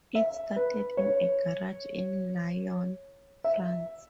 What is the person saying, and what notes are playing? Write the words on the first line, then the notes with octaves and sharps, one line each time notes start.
It started in a garage in Lyon, France.
E5
B4
C#5
E5